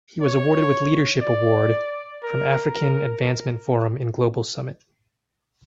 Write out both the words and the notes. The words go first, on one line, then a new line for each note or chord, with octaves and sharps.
He was awarded with leadership award from African Advancement Forum in global Summit.
C#5
D5
A#4
A#4